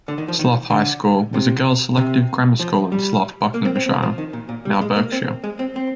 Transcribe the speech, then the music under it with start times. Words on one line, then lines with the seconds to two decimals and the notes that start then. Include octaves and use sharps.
Slough High School was a girls selective grammar school in Slough, Buckinghamshire, now Berkshire.
0.08 D3
0.18 D#3
0.28 F3
0.39 D#3
0.70 D3
1.34 C3
1.97 C3
2.59 F3
2.92 G3
3.54 A#3
3.65 C4
3.75 C4
3.86 C4
4.03 F3
4.18 D#3
4.33 A#2
4.49 A#2
4.65 G3
4.81 G#3
4.96 A#3
5.12 C4
5.44 G#3
5.59 C4
5.76 C4